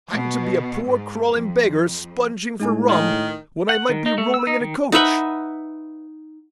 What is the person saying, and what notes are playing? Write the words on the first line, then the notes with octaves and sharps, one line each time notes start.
I'm to be a poor, crawling beggar, sponging for rum, when I might be rolling in a coach!
B2
G#2
F2
A2 G#3 D#4 G#5
D#3
F#5
D#3
D#4
A3
E6
D#4
D#3
D#4 B4 E5 F#5